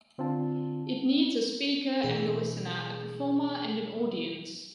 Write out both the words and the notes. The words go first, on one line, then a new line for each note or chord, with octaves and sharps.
It needs a speaker and a listener, a performer and an audience.
D3 C4 D4 F4 A5
B2 E3 D4 G#4